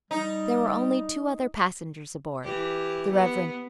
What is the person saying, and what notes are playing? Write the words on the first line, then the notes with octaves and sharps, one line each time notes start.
There were only two other passengers aboard, the Rev.
G3 D#4
E3 G4
B3